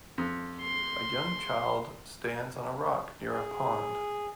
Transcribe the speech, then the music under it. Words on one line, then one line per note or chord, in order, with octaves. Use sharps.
A young child stands on a rock near a pond.
F2
C6
G#4